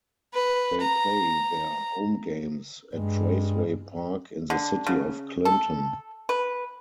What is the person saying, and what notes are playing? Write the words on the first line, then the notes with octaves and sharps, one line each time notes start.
They play their home games at Traceway Park in the city of Clinton.
B4
A#5
G2 G#3
D3
C#3
A4
B4